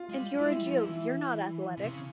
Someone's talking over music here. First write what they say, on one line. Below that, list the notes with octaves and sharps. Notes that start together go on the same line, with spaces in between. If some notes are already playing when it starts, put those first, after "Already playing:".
And you are a Jew, you're not athletic.
Already playing: F4
G#3
G3
G#3 E4
G3
F3
E3 E4
C3
C#3